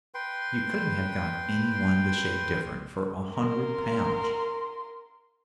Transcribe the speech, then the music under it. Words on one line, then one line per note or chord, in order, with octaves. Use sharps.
You couldn't have got any one to say different for a hundred pounds.
B4 G5 C6
A#4 C6